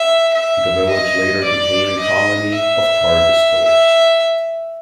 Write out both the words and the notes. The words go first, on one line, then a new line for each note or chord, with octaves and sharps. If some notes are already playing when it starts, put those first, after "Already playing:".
The village later became a colony of tar distillers.
Already playing: E5
E5
D#5
D5
D#5
E5
E5